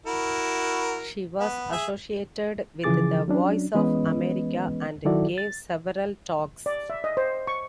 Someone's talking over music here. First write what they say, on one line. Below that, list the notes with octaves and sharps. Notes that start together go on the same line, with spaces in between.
She was associated with the 'Voice of America' and gave several talks.
E4 F#4 A#4
B3
G#4 E5
C#3 E3 F3 G#4 D6 A6
F#3 C#4 D4
E3 G#3 B3 C#4 B4 D#5
D#3 F#3 E4 F#4 A4 D5
A6
D5
E5
D#5
C5
C#6